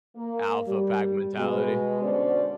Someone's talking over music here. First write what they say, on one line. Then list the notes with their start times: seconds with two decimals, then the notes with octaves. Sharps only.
Alpha pack mentality.
0.15 A#3
0.66 G3
1.35 B2 G#3
2.01 D3 C#4 F#4 C5 D5